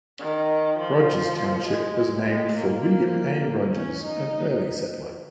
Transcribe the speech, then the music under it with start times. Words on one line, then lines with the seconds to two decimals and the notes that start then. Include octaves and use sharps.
Rogers Township was named for William A. Rogers, an early settler.
0.19 D#3
0.79 F3
1.67 G#3
2.26 G#3
2.56 A#3
3.74 C#4
4.04 D#4